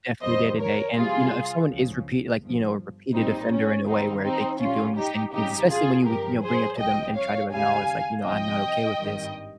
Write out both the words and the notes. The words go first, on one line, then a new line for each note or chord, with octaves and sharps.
definitely day to day, and, you know, if someone is repeat like, you know, a repeated offender in a way where they keep doing the same things, especially when you you know, bring up to them, and try to acknowledge, like, "You know, I'm not okay with this,"
F2 D#3 G3 C5 D#5
A#4 C#5
F2 C3 G3 F4 G#4
C#2 C#3 F3
G1 G2 F3
A#1 A#2 G3 C4 D#4
C#4
D#2 D#3 G3 C4 D#4
C4 D#4
A#1 G#2 G3 C#4 F4
D#4 G4
F2 C#3 G3 D#4 G4
F4 G#4
G#1 G2 F3 G4 A#4
G#4 C5
C2 C3 F3 D#5 G5
C#5 F5
D#2 C#3 G3 F5 G#5
C2 C3 F3 D#5 G5
G#1 G2 D#3 G3